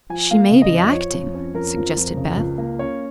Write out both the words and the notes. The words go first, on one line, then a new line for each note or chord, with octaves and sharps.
"She may be acting," suggested Beth.
F3 G#5
A#3 F5
C#3
D#5
F2
F3 C#5
F2
C#4
F2 A#4
F3
F2
C#3
C#2
A#3
C#4 C#5